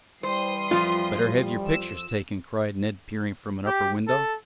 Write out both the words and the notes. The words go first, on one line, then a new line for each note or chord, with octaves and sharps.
"Better have your pictures taken!" cried Ned, peering from an upper window.
E3 G3 C5 C6 D#6 C7
F2 F3 F4
E6
G4
A4